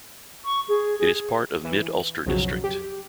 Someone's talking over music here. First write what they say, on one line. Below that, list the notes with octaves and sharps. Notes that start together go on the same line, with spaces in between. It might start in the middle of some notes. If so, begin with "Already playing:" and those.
It is part of Mid-Ulster District.
C#6
G#4
G#4
E3
B1 F2 C#3 F#3
G4